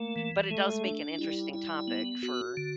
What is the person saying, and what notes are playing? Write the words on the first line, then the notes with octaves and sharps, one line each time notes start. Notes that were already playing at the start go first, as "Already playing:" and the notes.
but it does make an interesting topic for
Already playing: A3 A#3
E3
G#3 A3
D4
G3 E4
E4
B3
F#4
D3